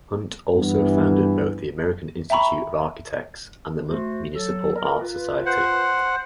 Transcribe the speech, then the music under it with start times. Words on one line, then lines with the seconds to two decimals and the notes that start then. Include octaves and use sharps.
Hunt also founded both the American Institute of Architects and the Municipal Art Society.
0.56 G2 E3 B3
2.30 E5 G5 A#5 B5 C#6
3.89 A3 F#4 C5
4.35 F#3 A4
4.75 A#4
5.01 F4 B4
5.46 C5 F#5